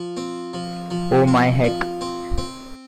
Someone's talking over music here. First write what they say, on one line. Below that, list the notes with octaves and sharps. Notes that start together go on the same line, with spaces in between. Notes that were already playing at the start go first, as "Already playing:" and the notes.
Oh my Heck!
Already playing: F3
C4
F3
F3
C4
F3
C4
C4